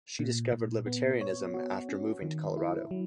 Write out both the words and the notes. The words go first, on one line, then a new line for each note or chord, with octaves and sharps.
She discovered libertarianism after moving to Colorado.
A#2
A#2
B3
C#5
F#4
C#4
D#3
E4
F#3